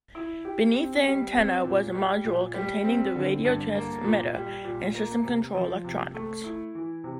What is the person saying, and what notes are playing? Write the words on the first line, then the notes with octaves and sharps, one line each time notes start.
Beneath the antenna was a module containing the radio transmitter and system control electronics.
E4
G4
C4
G3
C4
A#2
G3
A#2
G3
C4
D3
G2
A#3
A#2
G3
A#2
A#3
C3
F3
C3
A3
E4
E3
C3